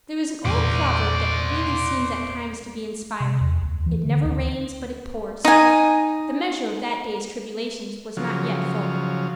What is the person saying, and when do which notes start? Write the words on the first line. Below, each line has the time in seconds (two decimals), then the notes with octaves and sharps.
There is an old proverb that really seems at times to be inspired . . . "it never rains but it pours." The measure of that day's tribulations was not yet full.
0.45 E2 A#2 C5 D5
3.20 C3
3.41 E2
3.62 D2
3.86 E3
4.05 D3
4.25 D2
5.45 D#4 G#5
8.17 C#3 F3 F#3